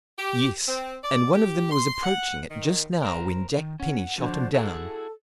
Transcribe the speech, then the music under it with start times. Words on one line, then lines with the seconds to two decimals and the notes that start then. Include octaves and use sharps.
"Yes; and one of them was approaching it just now when Jack Penny shot him down."
0.19 G4
0.68 C4
1.04 D5
1.33 G4
1.72 C6
2.03 F#5
2.51 D#3
3.03 A#4 C5 A#5
3.58 D#3
3.80 C#4 F#5
4.18 D3 F3 D4 F#4 C5
4.54 E4 F#4 G#4 A4